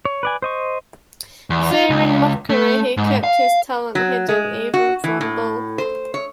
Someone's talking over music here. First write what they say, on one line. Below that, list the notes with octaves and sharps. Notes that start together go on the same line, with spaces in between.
Fearing mockery, he kept his talent hidden even from Bulk.
C#5
B4 D5 G#5
C5 D#5 C#6
E2
F4
C#2
A3
G#2
F5
F#3
G#3
F#4
E3
A2
C5
C#5